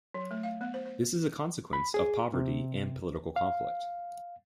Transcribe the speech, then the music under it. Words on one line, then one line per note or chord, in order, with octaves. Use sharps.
This is a consequence of poverty and political conflict.
F#3
A3
F5
B3
C5
C5
B5
G#4
C3
F5